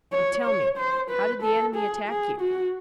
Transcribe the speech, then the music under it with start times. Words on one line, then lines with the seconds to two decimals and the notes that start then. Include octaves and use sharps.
"But tell me, how did the enemy attack you?"
0.12 C#5
0.45 C#5
0.77 C5
1.10 B4
1.42 A4
1.75 G#4
2.08 G#4
2.41 F#4